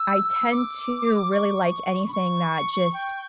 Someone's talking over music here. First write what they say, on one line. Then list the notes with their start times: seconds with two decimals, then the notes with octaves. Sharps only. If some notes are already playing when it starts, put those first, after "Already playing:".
I tend to really like anything that just
Already playing: E6
0.52 D6
1.32 C#6
2.08 B5
2.13 C#6
2.94 G5